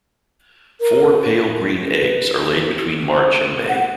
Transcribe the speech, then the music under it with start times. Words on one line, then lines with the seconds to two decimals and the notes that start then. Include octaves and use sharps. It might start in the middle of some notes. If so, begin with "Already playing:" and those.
Four pale green eggs are laid between March and May.
0.80 A#4
1.96 B4
3.12 C5
3.69 F#5